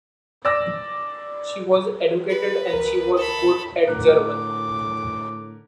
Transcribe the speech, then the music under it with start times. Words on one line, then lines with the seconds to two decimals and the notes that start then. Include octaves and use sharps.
She was educated and she was good at German.
0.45 D5 E6 A#6
2.29 B4
2.73 C#2 A#4
3.17 A4 B5
3.87 A2 D3 A#4 D6 F#6